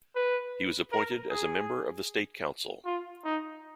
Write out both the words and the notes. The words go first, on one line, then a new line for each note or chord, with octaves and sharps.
He was appointed as a member of the State Council.
B4
A#4
G#4
F4
D#4